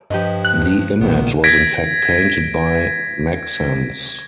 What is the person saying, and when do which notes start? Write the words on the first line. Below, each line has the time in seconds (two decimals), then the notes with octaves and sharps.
The image was in fact painted by Maxence.
0.10 G2 F3 G4 B4 D#5
0.45 F#6
1.01 A#1 D#3 B3
1.44 G#6 A#6 B6 D7